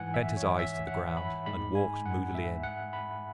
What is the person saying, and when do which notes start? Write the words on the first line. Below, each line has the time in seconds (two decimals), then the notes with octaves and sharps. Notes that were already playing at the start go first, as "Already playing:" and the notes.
He bent his eyes to the ground, and walked moodily in.
Already playing: G#2 E3 G#3 F#5 G#5
0.14 E5
0.37 C#5
0.59 E5
0.87 F#5
1.17 B5
1.46 G#2 G#3 B5
1.75 G#5
2.06 F#5
2.35 E5
2.63 F#5
2.93 B5